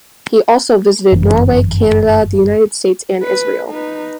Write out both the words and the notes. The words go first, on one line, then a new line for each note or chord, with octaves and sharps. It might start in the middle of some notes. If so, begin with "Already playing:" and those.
He also visited Norway, Canada, the United States and Israel.
G1 F#2 E3
B4
D#4 B4